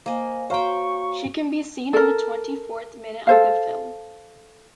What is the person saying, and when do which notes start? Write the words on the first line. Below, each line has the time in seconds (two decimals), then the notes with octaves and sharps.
She can be seen in the twenty-fourth minute of the film.
0.06 A#3 C5 D#5 F5 G#5
0.50 F#4 C5 C#5 F5 G5 A#5 C#6
1.93 A4 A#4
3.27 A4 C5 F5